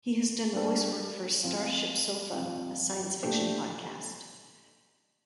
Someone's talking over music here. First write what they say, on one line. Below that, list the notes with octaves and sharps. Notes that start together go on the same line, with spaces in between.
He has done voice work for StarShipSofa, a science-fiction podcast.
G3 A#3 D4 A4 C5
F3 C4 F4
F3 C4 F4
A#2 A3 D4 G4 C5